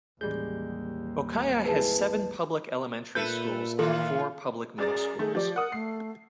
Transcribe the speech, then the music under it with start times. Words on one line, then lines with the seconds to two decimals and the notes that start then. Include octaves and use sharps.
Okaya has seven public elementary schools and four public middle schools.
0.21 A1 D#2 G3 G#3 G6
1.65 G#3 E4 G#4 B4 A5
3.15 A#2 A3 A4 B4 G6
3.79 D#3 A3 F4 A4
4.78 F#2 G#4 D5 A6
5.19 D#3 A3 G#4
5.35 F3 G4 D5
5.56 A#4 F#5 D#6
5.72 A3 C7